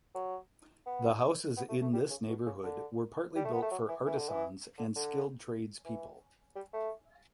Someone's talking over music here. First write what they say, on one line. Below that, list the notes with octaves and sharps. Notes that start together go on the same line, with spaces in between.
The houses in this neighborhood were partly built for artisans and skilled tradespeople.
F#3
B3
B3
A3
A3
G3
C#3
B2
C#3
D3
G3
A3
B3
A3
F#3
E3
E3
D3
E3
D3
D3
E3
G3
A3